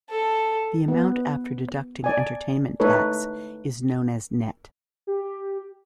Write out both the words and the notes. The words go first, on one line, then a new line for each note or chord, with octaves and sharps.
The amount after deducting entertainment tax is known as nett.
A4
B3
D5 G#5
A3 D#4 A4 B4 C#5
G4